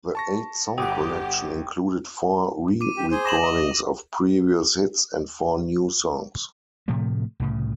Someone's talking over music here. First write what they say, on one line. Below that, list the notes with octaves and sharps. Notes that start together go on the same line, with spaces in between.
The eight song collection included four re-recordings of previous hits, and four new songs.
A5 C#6 A#6
G1 G4 F#5 G5 D6 D#6
D6 D#7
G4
G#4 C5
A#6 E7 F#7
D#5
A2 C3 F3 A3
C2 A2 C#3